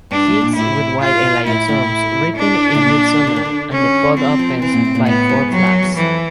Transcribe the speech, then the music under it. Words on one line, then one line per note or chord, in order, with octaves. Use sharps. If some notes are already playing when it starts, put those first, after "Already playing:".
Seeds with white elaiosomes ripen in midsummer and the pod opens by four flaps.
G2 D4
A2
A#2
A2 E4
F4
A2 E4
A2
D4
A2
A#2
D3
D#3
D3
C#4
F3 C4
F3
E3 C4
A#2
A2
A#2
A2 B3
G#2
G2 F#3
F#2
E2
F2 E3